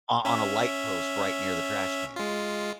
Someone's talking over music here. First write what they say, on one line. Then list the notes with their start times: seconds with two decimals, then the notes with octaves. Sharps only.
o on a light post right near the trash can
0.25 C#4 E5
2.16 G#3 F4